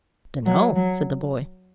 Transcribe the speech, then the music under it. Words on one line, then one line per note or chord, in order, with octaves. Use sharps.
"Dunno," said the boy.
F#3
F#3